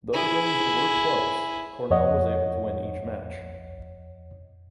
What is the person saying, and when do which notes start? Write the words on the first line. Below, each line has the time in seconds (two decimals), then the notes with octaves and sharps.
Though the games were close Cornell was able to win each match.
0.13 E4 G#4
1.91 F2 C#5 D#5 F#5